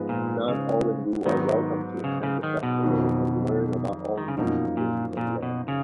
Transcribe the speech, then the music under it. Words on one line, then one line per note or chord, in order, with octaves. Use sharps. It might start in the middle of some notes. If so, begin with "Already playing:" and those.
Non-Yolngu are welcome to attend the festival and learn about Yolngu traditions and Law.
Already playing: G#2 F3 G#3 B3
A#2
C#3
G#2 D#3 F#3 B3 D#4
C#3
C#3
D#3
B2
F2 D#3 F#3
D#3
C#3
F#2 B2 F3 A#3 D#4
A#2
A#2
B2
C#3